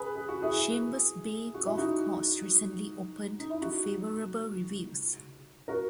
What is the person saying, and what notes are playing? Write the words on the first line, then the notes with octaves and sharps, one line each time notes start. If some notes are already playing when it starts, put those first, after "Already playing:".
Chambers Bay golf course recently opened to favorable reviews.
Already playing: G#4 B4
G#4
F#4
E4 G#4
F#4
E4
D#4 F#4
D#4
E4
D#4 F#4
F#4 A#4